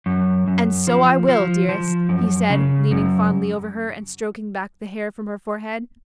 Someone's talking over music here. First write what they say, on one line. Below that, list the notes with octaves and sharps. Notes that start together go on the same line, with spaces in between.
"And so I will, dearest," he said, leaning fondly over her, and stroking back the hair from her forehead.
F#2
F#2
F3
F3
F3
F#2
C#3
F#2